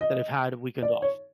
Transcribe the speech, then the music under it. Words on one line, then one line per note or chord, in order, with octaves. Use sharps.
that I've had a weekend off.
D#5
D5
C#5